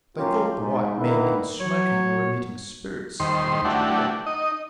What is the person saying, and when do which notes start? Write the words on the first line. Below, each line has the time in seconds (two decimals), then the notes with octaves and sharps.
They thought the white men in smoking were emitting spirits with each breath.
0.17 F#3 A#3 C#4 F4 G4
0.58 G#2
0.98 D3 D#3 A#3 E4 B4
1.60 F#3 C#5
3.20 D#2 D#3 G3 C5 C6
3.65 A3 D4 E4 F#4 G4
4.26 D#4 D#5